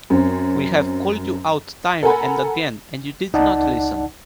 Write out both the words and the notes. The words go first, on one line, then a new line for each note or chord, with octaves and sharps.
We have called you out time and again, and you did not listen.
F#2 C4
A4 A#4 F#5 G#5 A#5 B5
C#2 D#4 D5 F#5 A5